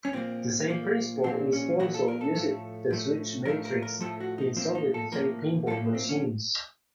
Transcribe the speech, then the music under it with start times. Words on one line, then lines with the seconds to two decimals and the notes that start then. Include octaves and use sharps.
The same principle is also used for the switch matrix in solid-state pinball machines.
0.05 C#4
0.13 A#2 F3 A#3 C4
0.69 A#2 F3 A#3
1.24 A#2 F3 A#3 C4
1.53 C#4
1.79 A#2 F3 A#3 F#4
1.94 A4
2.08 A#4
2.21 A4
2.35 A2 F3 A3
2.90 A2 F3 A3
3.45 A2 F3 A3 A#4
3.65 A#4
3.82 A#4
4.01 A2 F3 A3 A4
4.20 F#4
4.38 D#4
4.56 A2 F3 A#3 C4
4.75 D#4
4.94 A4
5.12 A2 F3 A#3 A#4
5.67 A2 F3 A#3 A4
5.95 C4
6.09 C#4